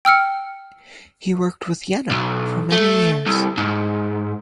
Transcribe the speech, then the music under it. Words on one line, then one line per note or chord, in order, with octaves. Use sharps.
He worked with Yener for many years.
G5 E6 F6 C#7
B1
A3
C2
G#2